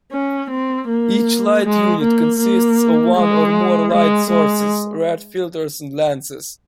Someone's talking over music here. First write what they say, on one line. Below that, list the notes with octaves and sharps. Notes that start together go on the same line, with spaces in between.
Each light unit consists of one or more light sources, red filters and lenses.
C#4
C4
A#3
G#3
A#3
A#3
G#3
G#3
G#3